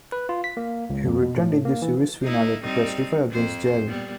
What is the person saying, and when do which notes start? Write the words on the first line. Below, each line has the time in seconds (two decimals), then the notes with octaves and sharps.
He returned in the series finale to testify against Jerry.
0.12 B4
0.29 F4
0.44 B6
0.57 A#3
0.90 C#2
1.05 F2
1.23 B2
1.36 A2
1.65 A#3
1.82 E3
2.22 A#3 D#4 E4
2.64 G3 C4 D#4
3.31 F2 C5
3.87 A#2 G3 B3